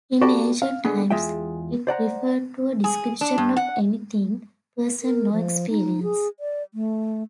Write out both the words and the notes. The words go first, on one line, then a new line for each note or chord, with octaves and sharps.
In ancient times, it referred to a description of any thing, person, or experience.
F#4 G4 A4 D5 G5 B5
F5
D3 G#3 B3
E2 G#3 F4 E5 G5
C5 D5 F#5 A#5
G#4
D4
G2
F#5
A#4
F3
D#4
G#4
D5
A3